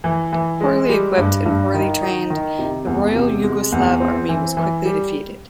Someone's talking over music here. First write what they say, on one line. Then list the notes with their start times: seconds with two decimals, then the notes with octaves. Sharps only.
Poorly equipped and poorly trained, the Royal Yugoslav Army was quickly defeated.
0.04 E3
0.32 E3
0.61 G#3
0.89 G3
1.17 G2
1.46 G2
1.74 D#3
2.02 D#4
2.30 D#3
2.59 C3
2.87 E2
3.15 C3
3.44 G#3
3.72 E2
4.00 C4
4.29 E3
4.57 E3
4.85 G3